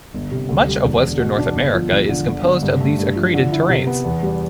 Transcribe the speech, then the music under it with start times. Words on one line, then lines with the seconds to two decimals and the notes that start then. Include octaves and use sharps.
Much of western North America is composed of these accreted terranes.
0.14 G1
0.31 C3
0.49 D2
0.67 G3
0.85 E1
1.02 D3
1.20 B2
1.38 D4
1.55 G1
1.74 F3
1.91 E1
2.09 D3
2.27 G1
2.45 D3
2.63 G2
2.80 A3
2.99 G2
3.16 F3
3.34 D3
3.52 E4
3.69 C3
3.87 B3
4.04 E2
4.23 G3